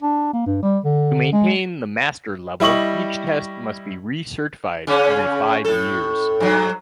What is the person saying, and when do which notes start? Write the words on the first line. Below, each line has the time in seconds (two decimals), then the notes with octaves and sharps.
To maintain the Master Level, each test must be recertified every five years.
0.02 D4
0.33 A#3
0.46 G2
0.63 G3
0.85 D3
1.33 G#3
2.60 G3 E4 D#5 C#6 F#7
4.87 C#3 C#4
5.65 A2 A4
6.40 G2 F#3